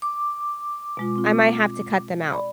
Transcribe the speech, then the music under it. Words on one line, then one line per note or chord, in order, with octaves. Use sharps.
I might have to cut them out
D6
B2 G#3 F4
C4 F4
D5 B5